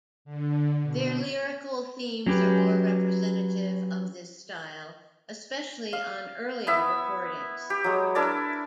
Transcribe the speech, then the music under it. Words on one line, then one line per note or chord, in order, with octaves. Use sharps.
Their lyrical themes are more representative of this style, especially on earlier recordings.
D3
B2
F#3 C#4 G4 B4
F5
B3 E4 E5
G4
F#3 G#3
D4 E4 A#4 D5